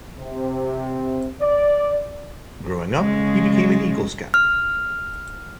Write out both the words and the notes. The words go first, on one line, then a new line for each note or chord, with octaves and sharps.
Growing up, he became an Eagle Scout.
C3
D5
C#3 G#3
F6